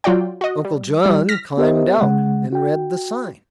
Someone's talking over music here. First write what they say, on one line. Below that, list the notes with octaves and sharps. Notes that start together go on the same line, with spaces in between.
Uncle John climbed out and read the sign.
F#3 F4 F#4 D5 G5
F#4 D#5
G3
G3 E4
F6 A#6 B6
B3 G4 A#4 C5 D#5 E5
C#3 G#3 F#5
F#4 G5